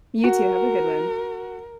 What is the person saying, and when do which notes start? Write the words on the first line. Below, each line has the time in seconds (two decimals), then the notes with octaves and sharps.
You too, have a good one.
0.24 F#4 A#4